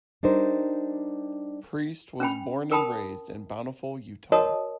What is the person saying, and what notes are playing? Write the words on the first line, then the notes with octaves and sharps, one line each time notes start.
Priest was born and raised in Bountiful, Utah.
G3 D4 D#4 A#4 C5
C#4 D4 G5 B5
A#4 G5 A5 B5 D#6
F#4 A#4 C#5 D#5 A5 D#6